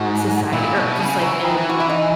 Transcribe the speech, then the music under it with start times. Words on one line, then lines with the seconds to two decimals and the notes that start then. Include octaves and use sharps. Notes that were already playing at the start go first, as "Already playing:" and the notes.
society or just, like, in
Already playing: G#2 F#4
0.53 A#2 E4
0.76 B2
0.99 C#3
1.21 F#3 E4
1.33 E3
1.44 D#3
1.57 E3
1.69 F#4
1.80 E4
1.90 D#4